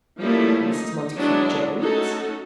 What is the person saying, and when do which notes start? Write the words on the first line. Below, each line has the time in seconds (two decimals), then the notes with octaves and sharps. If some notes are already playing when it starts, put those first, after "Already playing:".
"Mrs. Montacute Jones."
0.18 F3 G3 A3 A#3 C#4 E4
0.70 D#4
1.15 F#3 G#3 B3 D4 E4 F#4
1.77 A3 C#4 D#4 F#4 A4